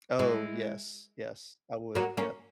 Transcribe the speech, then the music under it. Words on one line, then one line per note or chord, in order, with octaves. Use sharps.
Oh, yes, yes, I would, yep.
E3 G#3
F#3 A#3
A#3 C#4